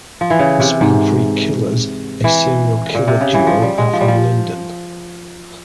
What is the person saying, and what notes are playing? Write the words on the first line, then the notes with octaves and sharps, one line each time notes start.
The Speed Freak Killers, a serial killer duo, are from Linden.
F3
E3
C#3
C3
G#2
E3
A#2
C3
C#3
E3
F3
G3
G#3
F3
G3
F3